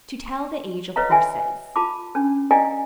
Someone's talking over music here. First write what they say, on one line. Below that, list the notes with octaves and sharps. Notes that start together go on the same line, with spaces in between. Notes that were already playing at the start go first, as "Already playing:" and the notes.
To Tell the Age of Horses.
B4 C#5 D#5 F5 A#5
F#4 E5 G5 G#5
F4 A5 B5 D6
C#4 D4
D5 D#5 F5 G5 G#5 A#5